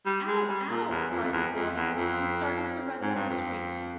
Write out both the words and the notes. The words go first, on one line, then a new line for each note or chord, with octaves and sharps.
"Ow, ow!" cried the boy, and started to run down the street.
G3
G#3
G3
A#2
E2
F2
F2
E2
F2
E2
F2
G#2
G2
F2